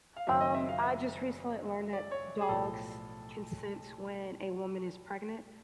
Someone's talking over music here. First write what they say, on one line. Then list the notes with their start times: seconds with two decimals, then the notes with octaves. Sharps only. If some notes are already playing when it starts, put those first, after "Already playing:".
Um, I just recently learned that dogs can sense when a woman is pregnant.
0.16 F5
0.27 F#1 F#2 D#3 F#3 A#3 E5
0.41 D#5
0.54 E5
0.69 F5
0.82 E5
1.93 D5
2.11 C#5
2.41 G#4
2.49 B1 A2 F3 A4